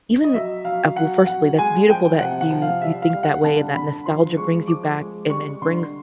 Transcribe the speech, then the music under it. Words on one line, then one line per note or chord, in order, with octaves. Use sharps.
even uh, well, firstly, that's beautiful that you you think that way, and that nostalgia brings you back and and brings
D#5
F#3 E5
F#3 F5
F#3 F#5
F#3 F#5
G#3 G#5
F3 G5
C3 F#5
F#5
F3
F5
G3 E5
F5
G3
F#5
D3 A5
D3 B5
F3 C6
G#3 C#6
F3 D6
G#3
G3 C#6
D3 C6